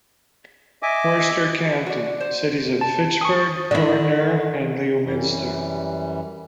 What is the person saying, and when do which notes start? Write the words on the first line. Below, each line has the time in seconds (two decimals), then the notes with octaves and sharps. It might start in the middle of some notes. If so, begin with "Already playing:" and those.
Worcester County: Cities of Fitchburg, Gardner, and Leominster.
0.82 D#5 E5 G#5 D6
1.86 F#4 D5
2.20 C5
2.81 A5
3.21 G#5 C#6 D#6
3.71 D3 D#3 E4 D5
5.05 F#2 E3 G3